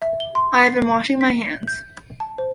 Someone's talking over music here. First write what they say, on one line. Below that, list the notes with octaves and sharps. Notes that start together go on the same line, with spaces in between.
I have been washing my hands.
E5
G7
C6
C7
B6
G6
A5
C5